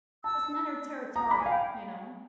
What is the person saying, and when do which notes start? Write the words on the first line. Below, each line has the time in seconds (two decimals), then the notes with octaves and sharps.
'Cause men are territorial, you know?
0.24 A5 E6
1.16 A#5 D#6
1.27 D6
1.31 B5
1.40 G#5
1.46 F5
1.51 G5